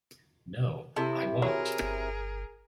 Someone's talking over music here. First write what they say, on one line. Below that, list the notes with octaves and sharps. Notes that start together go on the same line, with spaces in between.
No, I won't!
C3 E4 A4
F#3 G#4 A#4
G1